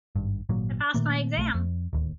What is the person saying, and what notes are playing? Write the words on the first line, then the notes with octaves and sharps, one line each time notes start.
I passed my exam!
G#1 G2
G#1 A#2 F#3
A#2 D#3 A3 A#3
B1 G#3 A3
F2
D1 D#2